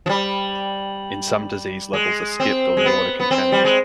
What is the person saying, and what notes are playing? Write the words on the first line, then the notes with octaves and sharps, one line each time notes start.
In some disease levels are skipped or the order can change.
F3
G3
G#3
C4
G#3
B3
B3
C4
G3
G#3